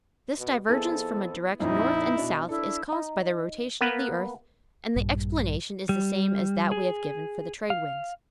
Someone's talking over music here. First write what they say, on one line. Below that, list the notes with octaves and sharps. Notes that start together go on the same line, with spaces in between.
This divergence from a direct north and south is caused by the rotation of the earth and the explanation is the same as that we have given for the trade winds.
B2
F2 B3 E4 G#4 A4
F2 A#2 C#4 D#4 E4
B2 D4 D#4
D4 E4 A4
D#4
A#3 B3 B4
A#1 G2
G3
G#4
F5